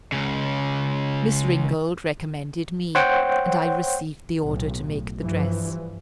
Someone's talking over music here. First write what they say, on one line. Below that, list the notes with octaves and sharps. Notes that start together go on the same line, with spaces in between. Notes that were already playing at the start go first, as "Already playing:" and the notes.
Miss Ringold recommended me, and I received the order to make the dress.
C#2 C#3
C5 C#5 F#5 G5
B1 A2
G2 E3 F3